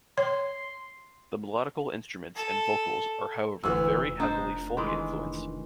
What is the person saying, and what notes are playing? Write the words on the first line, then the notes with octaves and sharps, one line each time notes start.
The melodical instruments and vocals are however very heavily folk-influenced.
C#5 C6
A4
F1 D2 E3 E6
D4 D#4 C5 A#5
D#3 E3 G#3 B5 C6